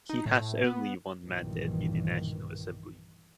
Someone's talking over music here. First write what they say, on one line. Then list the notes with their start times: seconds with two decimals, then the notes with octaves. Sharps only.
He has only one mandate in the National Assembly.
0.10 D#4
0.26 A2
0.64 B3
1.24 B1 G2 A#2 D#3 E3